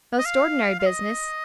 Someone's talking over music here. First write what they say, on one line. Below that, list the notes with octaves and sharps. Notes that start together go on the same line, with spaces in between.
Most ordinary business.
D#5
F5
F5
D#5